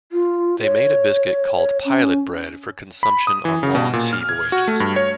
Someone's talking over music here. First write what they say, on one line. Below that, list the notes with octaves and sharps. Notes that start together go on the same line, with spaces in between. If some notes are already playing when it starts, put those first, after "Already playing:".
They made a biscuit called pilot bread for consumption on long sea voyages.
F4
C#5
C#5
C#4
B5
D#6
E3
C#3
B2
A#2
F6
G#6
F#4
A3
G2
C#5